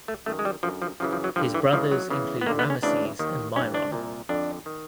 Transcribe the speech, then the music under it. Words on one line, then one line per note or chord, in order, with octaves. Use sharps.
His brothers include Rameses and Myron.
A3
F#2 D#3 A3
G#3
G3
F#2 D3 F3
F3
F#2 C#3 E3 F3
F3
F#3
G2 D3 F3
E3
C#2 C#3 E3 F3
F#3
E2 C#3 E3
B3
D#2 D3 A#3
B3
C#4
D2 C#3 E3 D4
D#2 D#3
G2 E3 C#4
D4
C2 A#2
F2 D3 D4
D#3